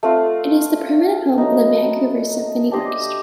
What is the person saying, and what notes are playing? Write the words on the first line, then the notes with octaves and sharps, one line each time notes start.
It is the permanent home of the Vancouver Symphony Orchestra.
A3 C4 F4
F#3 B3 D#4
D4 G4 C5 D#5